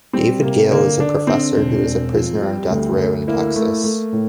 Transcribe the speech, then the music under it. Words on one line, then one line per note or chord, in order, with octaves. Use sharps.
David Gale is a professor who is a prisoner on death row in Texas.
G3 C4
C3 A#3
D3 A#3
D3 D4
C4 D4
E1
E1
F3
G3
D2
D2
A#3 E4
A3
A3
A2